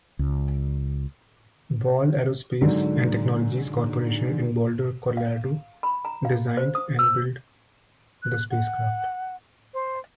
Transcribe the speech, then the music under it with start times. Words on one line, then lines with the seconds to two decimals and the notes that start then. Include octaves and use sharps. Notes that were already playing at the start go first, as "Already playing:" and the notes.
Ball Aerospace and Technologies Corporation in Boulder, Colorado, designed and built the spacecraft.
0.19 C#2
2.61 G#2 D3 F#3
5.17 F5
5.83 B5
6.05 A#5
6.25 F5
6.57 C5
6.75 D#6
6.99 E6
8.22 F#6
8.51 F#5
9.74 C5